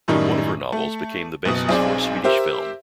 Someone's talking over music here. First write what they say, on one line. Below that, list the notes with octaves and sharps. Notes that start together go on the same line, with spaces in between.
One of her novels became the basis for a Swedish film.
F#2 A2 D#3 G3 D#4
A3
F#1 B2 D#6
B1 C4 G#4 C5 D5
G4 A#4 C5 E5